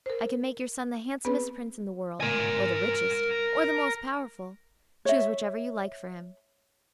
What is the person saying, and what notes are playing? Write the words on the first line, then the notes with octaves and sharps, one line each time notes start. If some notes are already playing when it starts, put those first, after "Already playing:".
"I can make your son the handsomest prince in the world, or the richest, or the most powerful; choose whichever you like for him."
A#4 C5
B3 C4 G#4 B4
A#4 G#5
C#5 E5